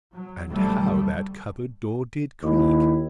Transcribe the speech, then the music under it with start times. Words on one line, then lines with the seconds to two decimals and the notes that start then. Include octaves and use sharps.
And how that cupboard-door did creak!
0.11 F#3
0.48 B1 D3 F3 G3 A3
2.43 D#2 E4